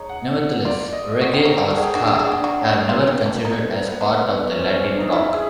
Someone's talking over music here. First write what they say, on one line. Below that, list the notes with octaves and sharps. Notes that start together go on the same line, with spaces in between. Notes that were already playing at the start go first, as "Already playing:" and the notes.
Nevertheless, Reggae or Ska have never considered as part of the Latin Rock.
Already playing: D#4 G#4 C#5
F#5
F#5
F4 D5
D#5
F#4 C5
G4
A#4
F#4
G4 A4
F#4
G#4
G4
D4 F#4
G4
F#4 G#4
D4 G4
F#4
C#4
A#3
B3 F4
G4
A#3
D4
B3 D#4
C4
B3
B3
B3 D4
B3
C#4
C4
C#4
D4
D#4
C#4 E4
G#4